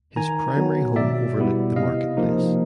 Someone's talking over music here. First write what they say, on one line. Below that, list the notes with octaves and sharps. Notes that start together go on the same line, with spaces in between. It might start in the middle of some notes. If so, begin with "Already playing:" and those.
His primary home overlooked the market place.
D#3 G#5 A#5
F#3 B3
B2 D5 E5
G3 B3 E4
C3 D#5 F5
F3 A#3 D#4